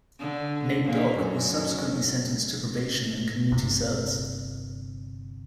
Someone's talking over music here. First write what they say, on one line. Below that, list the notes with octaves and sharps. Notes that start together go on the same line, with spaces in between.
Nate Dogg was subsequently sentenced to probation and community service.
D3
A#2
F#2
G1 C3